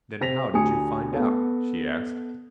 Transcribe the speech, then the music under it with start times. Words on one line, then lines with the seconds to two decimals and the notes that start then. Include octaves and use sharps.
"Then how did you find out?" she asked.
0.21 C3 C4 A#6 B6 F7
0.53 D2 G4 G#5 D#6 C#7
1.13 B3 A4